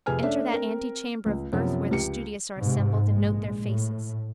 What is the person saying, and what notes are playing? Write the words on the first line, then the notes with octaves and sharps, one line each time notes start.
Enter that antechamber of birth where the studious are assembled and note their faces.
F2 C3 G#4 B4 G#5 F6
A3 C#4 D4 E5
C4 A#4
C#2
F#2 C3 F3 B3 C#4
C#2 G4 C#7
G#2 C3
A#1 G#3
A2